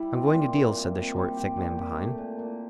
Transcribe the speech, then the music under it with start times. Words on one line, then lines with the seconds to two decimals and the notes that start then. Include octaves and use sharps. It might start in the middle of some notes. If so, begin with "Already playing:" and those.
"I'm going to deal," said the short, thick man behind.
Already playing: G3 E4
0.14 C4
0.34 A#2
0.55 A#2
0.75 A#2
0.96 C4
1.16 G3
1.37 G4
1.57 A#2
1.77 G4
1.99 A3
2.18 A#2
2.39 A#2